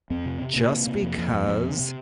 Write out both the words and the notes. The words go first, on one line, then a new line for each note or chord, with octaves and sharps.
just because
F2 C4
C3
C3
C3 A#3
C3
C3
F2
F2
F2
F2
C3
C3